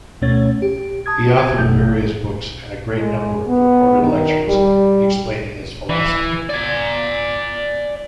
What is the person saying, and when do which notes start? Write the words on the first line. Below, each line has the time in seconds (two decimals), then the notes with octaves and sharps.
He authored various books and a great number of recorded lectures explaining his philosophy.
0.21 D2 B2 A3 C#4 C#5 A6
0.62 G4
1.06 A5 D#6 G#6
1.58 G#1 F#2 B2 A3 G6
2.97 G#3
3.47 B3
4.02 D#3
4.48 G3
5.89 E3
6.50 D5 G#5